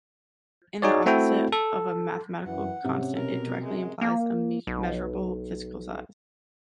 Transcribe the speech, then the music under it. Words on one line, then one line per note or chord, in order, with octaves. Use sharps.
In the opposite of a mathematical constant, it directly implies a measurable physical size.
D#4 F#4 G#4 C#5 D5
A3 C4 E4 F#4 A4 G5
A4
F#2 E3 F#5
G#2 C3 C#4
B2 A#4
F#2 G#3
A#3
B1